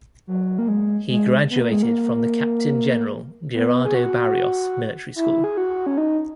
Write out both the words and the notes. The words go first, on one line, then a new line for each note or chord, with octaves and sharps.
He graduated from the Captain General Gerardo Barrios Military School.
F#3
A#3
G#3
G#3
B3
A#3
G#3
A#3
B3
G#4
F#4
E4
G#4
F#4
C#4
D#4